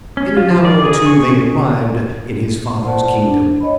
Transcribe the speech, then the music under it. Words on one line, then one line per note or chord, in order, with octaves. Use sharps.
In an hour or two they arrived in his father's kingdom.
C#4
F4
F3
D5
G#4
C#6
C#4
C5 D5 F#5 A5
D4
C#5 D#5 B5